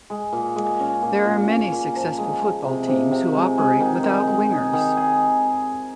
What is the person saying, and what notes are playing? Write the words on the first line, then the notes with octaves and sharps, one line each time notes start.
There are many successful football teams who operate without wingers.
G#3
A#2
G#3
C#4
A#2
A#2
C#4
A#2
F3
G#3
G#3
C3
C3
C3
G#3
G#3
D#3
D#3
G#3
G#4
D#3
G#4